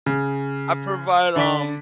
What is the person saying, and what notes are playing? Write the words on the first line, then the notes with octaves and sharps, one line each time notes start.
I provide, um,
C#3
D3 D5 B6